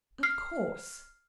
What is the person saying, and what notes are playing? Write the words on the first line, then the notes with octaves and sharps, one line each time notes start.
"Of course."
F6 C7